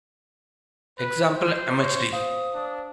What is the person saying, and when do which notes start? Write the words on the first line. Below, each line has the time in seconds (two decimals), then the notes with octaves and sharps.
Example mhd.
0.98 B4
1.32 C5
1.77 C#5
2.13 C5 F5 D#6
2.54 D4